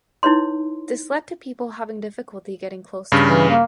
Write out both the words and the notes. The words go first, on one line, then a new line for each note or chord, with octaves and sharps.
This led to people having difficulty getting close to her.
D#4 E4 B4 C#5 C6
G2 C#3
E3
A#3